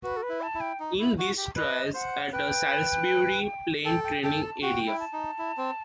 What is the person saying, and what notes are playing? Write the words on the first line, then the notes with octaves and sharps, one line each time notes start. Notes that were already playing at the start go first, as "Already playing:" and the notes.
In these trials at the Salisbury Plain training area.
F#4 B4
A4
B4
E4
A5
E4
G5
D#4
E4
F#4
G4
B4 D#5
C5 F#5
B4 G5
A4 G5
G5
A4 G5
A5
F#4 G5
E4
A5
D#4
E4
C4